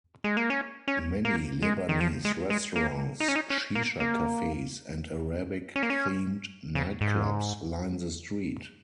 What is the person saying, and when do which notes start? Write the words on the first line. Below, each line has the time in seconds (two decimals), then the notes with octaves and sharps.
Many Lebanese restaurants, "shisha" cafes and Arabic-themed nightclubs line the street.
0.24 G#3
0.37 A#3
0.50 C#4
0.88 C#4
1.25 A#3
1.62 G#3
1.89 D#3
2.00 F3
2.25 G#3
2.50 G#3
2.76 A#3
3.20 D#4
3.28 C#4
3.36 D#4
3.50 C#4
3.75 A#3
4.00 A#3
5.76 C#4
5.83 A#3
5.90 C#4
6.75 C#3
7.01 G#2